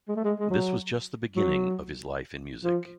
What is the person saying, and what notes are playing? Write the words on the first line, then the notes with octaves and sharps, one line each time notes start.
This was just the beginning of his life in music.
G#3
A3
G#3
G#3
F#3
F#3
F3